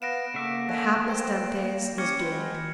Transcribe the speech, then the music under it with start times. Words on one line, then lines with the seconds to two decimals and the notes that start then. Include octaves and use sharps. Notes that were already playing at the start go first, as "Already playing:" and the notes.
The hapless Dantes was doomed.
0.02 B3 B4 F5 A#6 D7 E7
0.34 C#3 A3 A#3 E5 F#5 D6
0.69 A4 E5 F#5 G#5 A#6
1.10 B4 C5 G5
1.98 C#4 G4 C#6 F6 G#6 C#7
2.20 F#3 G#3 C5 G5 B5